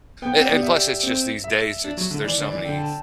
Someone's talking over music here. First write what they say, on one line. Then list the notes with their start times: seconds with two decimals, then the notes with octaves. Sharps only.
eh, and, plus, it's just these days, it's there's so many
0.22 B3 G5
0.32 C4 F#5
0.43 D5
0.50 B3 G4
0.63 E5
1.03 C4
1.44 E5
1.84 D4
1.97 F#3
2.11 D3
2.24 E3 D5
2.38 D3
2.45 D5
2.52 E3
2.64 D3 G5
2.78 A5